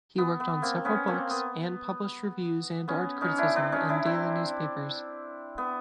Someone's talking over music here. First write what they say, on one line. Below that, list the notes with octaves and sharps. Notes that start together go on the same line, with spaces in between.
He worked on several books and published reviews and art criticism in daily newspapers.
B3
B3
A#3 C4
B3 C#4
A#3 C4
B3
B3 C#4
C#4 D#4
D4 E4
C4 D4
C#4 D#4
D4 E4
C4 D4
B3